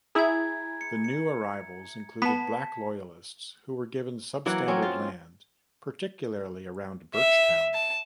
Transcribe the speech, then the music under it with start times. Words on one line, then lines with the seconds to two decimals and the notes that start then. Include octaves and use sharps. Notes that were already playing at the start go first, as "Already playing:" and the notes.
The new arrivals included Black Loyalists who were given substandard land, particularly around Birchtown.
0.15 E4 G#4 A#5 G#6
0.81 C#7
1.04 C#7
2.22 B3 A5 B6
4.46 E3 F#3 A#3 F#5
4.68 F#3 C4 C#4
4.82 F4
7.15 E5
7.74 A5